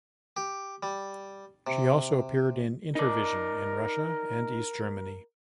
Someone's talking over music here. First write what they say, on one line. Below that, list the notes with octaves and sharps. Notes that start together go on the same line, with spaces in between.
She also appeared in "Intervision" in Russia and East Germany.
G4
G3
C3
D#4 A#4 D5